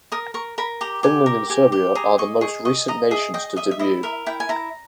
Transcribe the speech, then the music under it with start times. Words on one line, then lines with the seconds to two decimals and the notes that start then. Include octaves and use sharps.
Finland and Serbia are the most recent nations to debut.
0.12 A#4 D#6
0.34 A#4 C#6
0.58 A#4 B5
0.81 G4 A#5
1.03 G4 G#5
1.26 A#4
1.50 G4 G#5
1.72 G4
1.95 G#4 A#5
2.18 D#5 C#6
2.41 G#4 C#6
2.65 D#5 C#6
2.88 D#5 A#5
3.11 G#4 E5
3.34 D#5 G5
3.56 D#5 E5
3.71 E5
3.79 E4 D#5
4.03 A#4 E5
4.26 E4 G5
4.40 G#5
4.49 E4 A#5